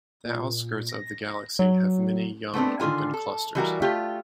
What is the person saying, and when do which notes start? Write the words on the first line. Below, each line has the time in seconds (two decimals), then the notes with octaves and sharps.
The outskirts of the galaxy have many young open clusters.
0.25 A#2
0.89 A#6
1.59 F#3
2.54 A3 B3 C4 D4
2.80 D3 D#3 D4 F4 G#5
3.14 A4
3.55 E3 G3 F#4 A#4
3.82 A3 F4 G4